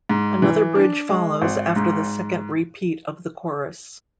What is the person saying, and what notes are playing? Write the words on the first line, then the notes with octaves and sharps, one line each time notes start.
Another bridge follows after the second repeat of the chorus.
G#2
E3
D4
G#3
G#1
G#2